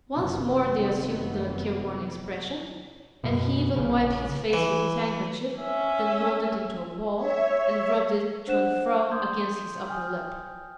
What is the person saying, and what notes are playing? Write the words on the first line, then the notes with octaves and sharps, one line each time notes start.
Once more they assumed a careworn expression, and he even wiped his face with his handkerchief, then rolled it into a ball, and rubbed it to and fro against his upper lip.
F1 F#2 C3 D#3 F#3 B3
F#2 B2
A#1 C#3
E3
C#4 E5
C#5 E5
D4 C5 F#5 F#6 E7
C6 D6 D#6 G6 G#6
G5 G#5 D#6 F6 G6